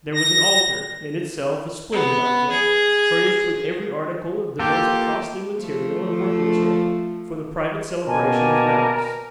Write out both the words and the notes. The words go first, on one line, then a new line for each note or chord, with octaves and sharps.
There was an altar, in itself a splendid object, furnished with every article of the most costly material and workmanship, for the private celebration of mass.
A#6
B3
G#4
A#3 F4 G4 A4
F3 A3
B2 G3 A#3 A#4 G#5 A5